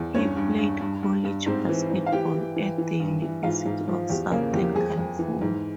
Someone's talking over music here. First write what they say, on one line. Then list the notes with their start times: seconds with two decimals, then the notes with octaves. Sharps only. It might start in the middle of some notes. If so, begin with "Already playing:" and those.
He played college basketball at the University of Southern California.
Already playing: E2
0.15 G2 C#4 C#5
0.37 G2
0.58 G2
0.81 G2
1.03 G2
1.25 G2
1.46 G#2 C4 C5
1.69 E3
1.90 G#2
2.06 F5
2.12 E3 G4 G5
2.34 E3
2.56 E3
2.78 E3
3.00 G2
3.22 E3
3.43 G#2 F4 F5
3.65 G#2
3.88 F3
4.10 E2 G4
4.31 C#3 A#3 A#4
4.53 E2 G4
4.75 F2 G#4
4.97 F2
5.19 E3
5.41 G#2